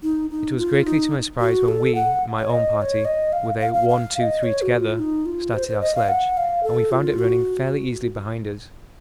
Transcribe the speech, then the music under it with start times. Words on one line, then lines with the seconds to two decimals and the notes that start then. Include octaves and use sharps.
It was greatly to my surprise when we--my own party--with a 'one, two, three together' started our sledge, and we found it running fairly easily behind us.
0.03 D#4
0.30 D#4
0.58 F4
0.85 D#4
1.40 F#4
1.68 A4
1.95 F#5
2.39 C#5
2.50 D#5
2.78 D#5
2.82 C#5
3.05 D#5
3.33 F5
3.61 F5
3.74 F5
3.89 F5
4.16 F5
4.21 D#5
4.43 C#5
4.62 F#4
4.80 F4
4.99 D#4
5.26 F4
5.54 C5
5.68 C5
5.81 D#5
5.95 F5
6.08 F#5
6.37 F5
6.64 A4
6.92 F4
7.19 F#4